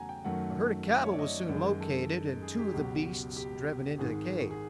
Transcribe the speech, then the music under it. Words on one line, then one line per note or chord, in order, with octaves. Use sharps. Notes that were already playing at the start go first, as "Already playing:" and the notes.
A herd of cattle was soon located and two of the beasts driven into the cave.
Already playing: E2 C#3 F#3 A3 F#5 G#5 A#5
G5
F#2 D#3 F#3 A3 F#5
E5
C#5
D5
D#5
F#2 D#3 G#3
A4
G#4
G4
C#2 B2 F#3
G4
G#1 G#2 D#3 G#4
G#4